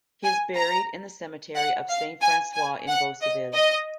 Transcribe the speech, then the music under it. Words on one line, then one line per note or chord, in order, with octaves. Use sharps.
He is buried in the cemetery of Saint-Francois in Beauceville.
G#5
A#5
F#5
F5
G#5
G#5
F#5
D#5
D#5